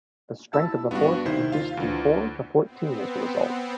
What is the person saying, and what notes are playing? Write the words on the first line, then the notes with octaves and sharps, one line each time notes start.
The strength of the force increased from four to fourteen as a result.
E4 A5 E6
G2 B3 D4 F#4
D#2 C3 D#3 E4 C5
F4 F5
D2 E3 F3 D4
B3 C4